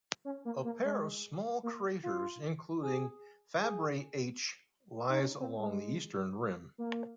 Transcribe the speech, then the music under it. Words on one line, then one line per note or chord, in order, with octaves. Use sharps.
A pair of small craters, including Fabry H, lies along the eastern rim.
C#4
A#3
A#3
G#3
A#3
F4
G#4
G#4
D#4
C#4
C4
G#3
A#3